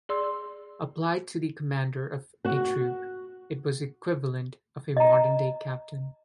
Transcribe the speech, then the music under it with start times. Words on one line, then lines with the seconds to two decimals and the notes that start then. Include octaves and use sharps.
Applied to the commander of a troop, it was equivalent of a modern-day captain.
0.09 G#4 D5 C6 E6
2.45 F#4 F#5
4.97 D#5 A#5